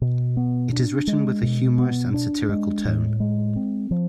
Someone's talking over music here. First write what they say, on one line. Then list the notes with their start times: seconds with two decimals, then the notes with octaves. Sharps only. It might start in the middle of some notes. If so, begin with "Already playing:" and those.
It is written with a humorous and satirical tone.
0.01 B2
0.37 B3
0.73 D4
1.07 G#3
1.43 B2
1.78 B3
2.14 D4
2.49 G#3
2.85 A2
3.20 G#3
3.56 C4
3.91 F3